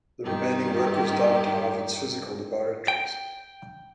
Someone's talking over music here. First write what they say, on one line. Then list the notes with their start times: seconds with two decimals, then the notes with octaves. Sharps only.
The remaining work was done at Harvard's Physical Laboratories.
0.24 G2 D#3 G4
2.88 G5